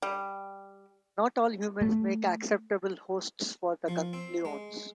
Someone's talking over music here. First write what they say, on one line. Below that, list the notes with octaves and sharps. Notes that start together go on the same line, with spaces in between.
Not all humans make acceptable hosts for the Ganglions.
G3
A3
F3
C4
G#3